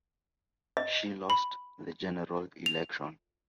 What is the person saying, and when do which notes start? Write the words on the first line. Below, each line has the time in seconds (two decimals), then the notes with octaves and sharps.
She lost the general election.
0.77 D#5
1.30 B5
2.66 F7